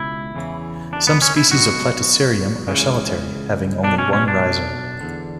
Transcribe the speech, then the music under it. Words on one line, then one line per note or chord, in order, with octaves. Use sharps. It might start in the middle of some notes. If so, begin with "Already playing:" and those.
Some species of "Platycerium" are solitary having only one rhizome.
Already playing: C#2 B2 E4
E2 C#3 E3
D4
B3
C#4
E4
B1 B2 F#4
C#2 C#3 E3
B1 B2 D4
C#4
C#4
D4
E2 D3